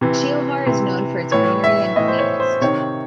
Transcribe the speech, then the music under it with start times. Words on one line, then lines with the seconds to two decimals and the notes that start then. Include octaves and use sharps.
Sheohar is known for its greenery and cleanest.
0.01 C3 E3
0.66 C3 E3
1.31 A2 E3 C#5
1.64 E5
1.96 A2 E3 D#5
2.08 C5
2.19 C#5
2.40 C5
2.61 C3 D#3 C#5